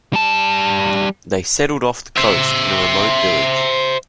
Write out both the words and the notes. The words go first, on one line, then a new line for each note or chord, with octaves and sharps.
They settled off the coast in a remote village.
G3 A5
C5 E5